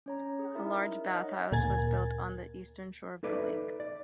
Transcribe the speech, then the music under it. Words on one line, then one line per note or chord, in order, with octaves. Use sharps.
A large bathhouse was built on the eastern shore of the lake.
C#4 C#5 A#5
G#4
D#4 E4 A#4 E5
D#4 C#5 D#5 F#5
D2 A#2 A#4 G#5 G#6 A6
D#4 A4 B4 D5 E5
D5